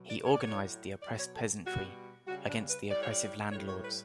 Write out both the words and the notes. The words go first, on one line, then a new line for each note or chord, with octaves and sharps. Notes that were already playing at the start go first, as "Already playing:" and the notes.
He organised the oppressed peasantry against the oppressive landlords.
Already playing: B2 F#3
D5
C#5
D5
A2 F#3 C#5
B2 F#3 D5
C#5
A4
B2 G3 F#4
C#3 G3 F#4
D4
B4
A2 G3 D5
C#5
D5
A2 G3 C#5
C#5
B4